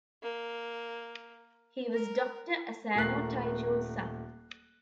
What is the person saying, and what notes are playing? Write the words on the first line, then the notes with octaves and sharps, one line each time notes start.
He was Doctor Asano Taijun's son.
A#3
A#4
D#1 A3 A#4 F#6 C7